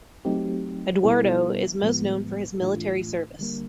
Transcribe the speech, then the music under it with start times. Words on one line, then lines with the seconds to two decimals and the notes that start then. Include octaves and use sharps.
Eduardo is most known for his military service.
0.25 F#3 A3 C4 D#4 G4
1.03 B2 G3 B3 E4 A4
1.82 A2 F3 G#3 B3
2.60 A2 E3 A3 D4 F4
3.39 D3 G3 A#3